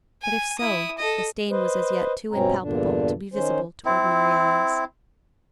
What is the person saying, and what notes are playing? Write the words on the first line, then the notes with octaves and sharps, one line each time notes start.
But if so, the stain was as yet too impalpable to be visible to ordinary eyes.
G#5
E4 D#6
A4 D#5
B4 C5 D#5
G2 B2 F#3 C4 C#4 A#5
E2 G2 A#2 D3 D4
D#3 C#4 C5
C4 E4